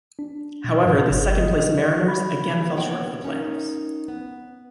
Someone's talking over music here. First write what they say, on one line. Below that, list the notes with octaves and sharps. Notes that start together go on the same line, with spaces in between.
However, the second-place Mariners again fell short of the playoffs.
D4
B2
G#2
G1
D#5
B5
A#3 B3 C#5 F#5 G5
C#4 D#4 A#4
B3